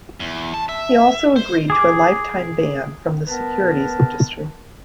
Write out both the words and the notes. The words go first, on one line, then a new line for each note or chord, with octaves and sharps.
He also agreed to a lifetime ban from the securities industry.
E2
A5
E5
C5
G#4 D6
B3 A#4 B4 A5